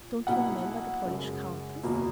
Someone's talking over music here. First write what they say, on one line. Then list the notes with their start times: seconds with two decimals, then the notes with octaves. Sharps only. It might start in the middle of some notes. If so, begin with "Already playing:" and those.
Don't you remember the Polish Countess?
Already playing: A#2
0.27 B1 B2 A#3 E4 F#5
1.05 F#2 C#3 G#3
1.83 F#1 E2 B2 F#3 A#3